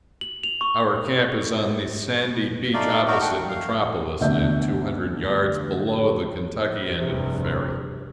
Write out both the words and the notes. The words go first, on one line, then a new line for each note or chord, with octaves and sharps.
Our camp is on the sandy beach opposite Metropolis, and two hundred yards below the Kentucky end of the ferry.
F#7
F7
C#6
A3 D#4 D5 F5
D#4 E4 F#4 A#4
D4 F#5 G5
F5
F1 D2 B2 D3 E5 G6
F1 E2 G2 C3